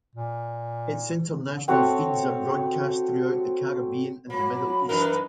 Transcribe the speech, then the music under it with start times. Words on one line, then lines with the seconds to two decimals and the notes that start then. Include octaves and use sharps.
Its international feeds are broadcast throughout the Caribbean and the Middle East.
0.15 A#2
1.68 C4 F#4 A4 C#5
4.30 F#3 A#3 B5
4.89 F#2 E3 D#4 A#4